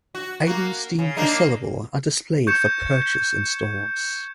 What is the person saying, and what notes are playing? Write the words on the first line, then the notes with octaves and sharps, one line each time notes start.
Items deemed resellable are displayed for purchase in stores.
F#4
A#3 F#4
C#3
A#3 D4 D#4
C#6 G6 G#6 C#7 E7